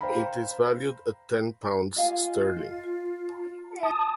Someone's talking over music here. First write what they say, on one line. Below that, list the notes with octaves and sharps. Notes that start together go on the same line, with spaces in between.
It is valued at ten pounds sterling.
C5 F5 G5 A#5 B5
F4 D#5 F5 G#5
A5 D#6